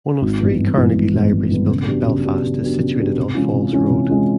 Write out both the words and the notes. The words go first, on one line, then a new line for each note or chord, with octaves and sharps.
One of three Carnegie libraries built in Belfast is situated on Falls Road.
G#1
G2 E3 G#3 B3
G#1
G2 E3 G#3 B3
G#1
G2 E3 G#3 B3
G#1
G2 E3 G#3 B3
C#3
F#3 B3 D4 G4
C#3
F#3 B3 D4 G4
C#3
F#3 B3 D4 G4
C#3
F#3 B3 D4 G4
C3
E3 G#3 C#4 F4
C3
E3 G#3 C#4 F4
C3
E3 G#3 C#4 F4